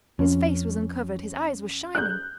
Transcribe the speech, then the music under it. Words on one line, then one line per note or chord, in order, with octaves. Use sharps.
His face was uncovered, his eyes were shining.
F2 C#4
F#6 G6